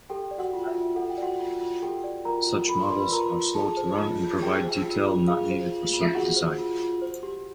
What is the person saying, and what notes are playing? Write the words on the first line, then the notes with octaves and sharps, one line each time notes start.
Such models are slow to run and provide detail not needed for circuit design.
G4 A4 G5
D5
F#4 F#5
F4
E5
F4
A4 F#5
G5
F#4 D5 F#5
F4
F4
G4 A4 G5
D5
F4 A#4 A#5
F4
A4 B5
C6
D5
B4 B5
F4 A#4 A#5
F4
G#4 A4 A5
C5
F4
F4
G4 G#4 G5
C5
F4
F4
F4 G#4 F5
C5
F4
F4
F#4 G#4 F#5
C5
F4
F4
C5
G4